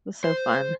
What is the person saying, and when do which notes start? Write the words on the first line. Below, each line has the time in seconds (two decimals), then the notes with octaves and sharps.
was so fun.
0.24 C5